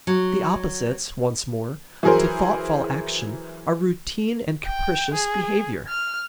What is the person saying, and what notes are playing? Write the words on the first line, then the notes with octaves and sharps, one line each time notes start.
The opposites, once more, to thoughtful action are routine and capricious behavior.
F#3
E3 F#3 G#4 A#4 C5
G5
G#4
F6